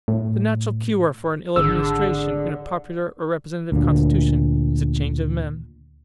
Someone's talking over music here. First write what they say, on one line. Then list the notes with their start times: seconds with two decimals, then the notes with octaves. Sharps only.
The natural cure for an ill-administration, in a popular or representative constitution, is a change of men.
0.08 A2
1.56 G#1 D3 G#4 E6
3.72 D2 A#2